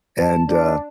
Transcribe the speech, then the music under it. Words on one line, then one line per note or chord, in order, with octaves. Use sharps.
and, uh
A5
D4